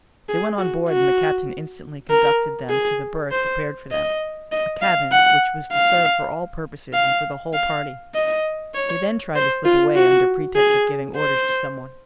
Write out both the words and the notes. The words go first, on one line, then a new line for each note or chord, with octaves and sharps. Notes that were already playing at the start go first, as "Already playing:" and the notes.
They went on board and the captain instantly conducted them to the berth prepared for them--a cabin which was to serve for all purposes and for the whole party; he then tried to slip away under pretext of giving orders to some one.
G#4
F#4
F#4
A#4
G#4
C5
D#5
D#5
F5
F#5
F5
F5
F5
D#5
C#5
C5
F4
F#4
G#4
C5